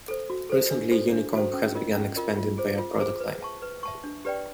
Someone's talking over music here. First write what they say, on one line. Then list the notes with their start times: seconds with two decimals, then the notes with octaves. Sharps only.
Recently, Unicomp has begun expanding their product line.
0.08 A4 C5
0.30 F#4
0.50 A4 C5
0.71 D4
0.91 F#4 A4 C5
1.13 D4
1.33 F#4 A4 C5
1.53 C#4
1.75 F4 A#4 D#5
1.96 C#4
2.16 F4 A#4 D#5
2.37 F4
2.58 G#4 C5
2.78 F4
2.99 G#4 C5
3.20 B4
3.41 E5 A5 C#6
3.62 B4
3.83 E5 A5 C#6
4.04 D4
4.25 G4 B4 D5 G5